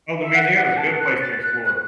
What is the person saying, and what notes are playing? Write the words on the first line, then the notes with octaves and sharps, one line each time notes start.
Oh, Louisiana is a good place to explore.
E5
F#5
F#5
F#5
A5
F#6
A6
F#6
F#6